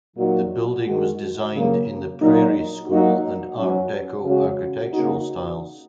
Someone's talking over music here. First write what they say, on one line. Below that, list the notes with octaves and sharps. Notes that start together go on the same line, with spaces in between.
The building was designed in the Prairie School and Art Deco architectural styles.
A#2 F#3 D#4 F#4
D#3 G#3 F#4
C#3 F#3 A#3
A#2 F#3 D#4
F#3 A#3 D#4 F#4
F#3 C#4 F#4
C#3 G#3 C#4 F#4
C#3 A#3 D#4 F#4